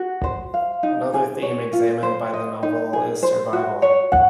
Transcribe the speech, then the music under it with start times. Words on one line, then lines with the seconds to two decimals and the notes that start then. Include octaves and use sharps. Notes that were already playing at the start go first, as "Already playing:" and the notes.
Another theme examined by the novel is survival.
Already playing: F#4
0.24 C5
0.54 F5
0.83 D#4
1.13 G#4
1.43 C#5
1.73 F4
2.03 C5
2.34 D#5
2.63 D#4
2.93 G#4
3.23 C5
3.53 F#4
3.82 C#5
4.12 F#5